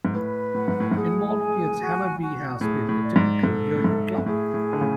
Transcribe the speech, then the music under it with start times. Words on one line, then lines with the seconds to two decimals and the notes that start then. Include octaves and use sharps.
In modern years, Hammarby has been a typical yo-yo club.
0.05 G#2
0.14 A2 B4
0.55 A2 F#5
0.68 G#2
0.80 A2
0.91 G#2
0.95 A2 G#4
1.38 G#5
1.79 F#4
2.20 F#4
2.61 A2 G#4
2.89 A2
3.03 D5
3.16 G#2
3.43 G#2 A4
3.76 A2
3.84 G#2 E5
4.18 G#2
4.26 A2 G#4
4.54 A2
4.67 G#5
4.73 D3
4.81 A2 C#3